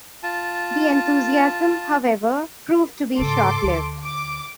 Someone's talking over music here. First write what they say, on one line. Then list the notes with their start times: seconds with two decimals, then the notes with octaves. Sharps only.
The enthusiasm, however, proved to be short lived.
0.23 F4 A5
3.19 G#2 C#3 A4 C6 D6
3.63 D2
4.03 D6